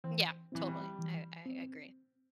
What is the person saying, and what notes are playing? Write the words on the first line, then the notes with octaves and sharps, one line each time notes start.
Yeah, totally. I I agree.
E3 C4
E3 C4 E4
G3
E3
C4